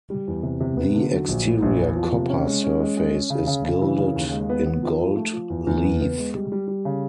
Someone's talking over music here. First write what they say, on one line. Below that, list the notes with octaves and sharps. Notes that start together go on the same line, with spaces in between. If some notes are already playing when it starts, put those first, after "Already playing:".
The exterior copper surface is gilded in gold leaf.
G3
E2
C3
C3
B3
D3
F#3
A#1
A2
A#1
E2
F3
C3
C#4
G#3
C#4
G#3
G#3
C#4
C#3
C#3
C#3
E3
C#3
D#2
G#3
B3
B3
F3
F3
A3
F3
E2
E2
B3
B3
G#3
G3
G3
G3
C#3